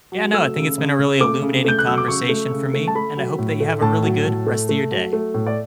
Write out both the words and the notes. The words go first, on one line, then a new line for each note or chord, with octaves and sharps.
Yeah, no, I think it's been a really illuminating conversation for me, and I hope that you have a really good rest of your day.
F#3
A3 E6
C#3
C#3
C#3
A3 D6
C#3
A3 G6
F#6
F#3 E6
D6
C#3 C#6
A3
C#3
A3
A5
A3 B5
F#3
A2
A3
A2 A5
F#3
A2
A3
A3
F#3
A3
A2
D5